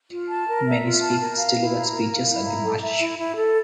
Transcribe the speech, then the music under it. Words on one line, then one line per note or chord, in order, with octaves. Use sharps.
Many speakers delivered speeches at the March.
F4
A5
A#4
E5
F4
A5
A#4
F5
E4
A#5
A#4
F5
E4
A#5
A4
E5
E4
E4
A4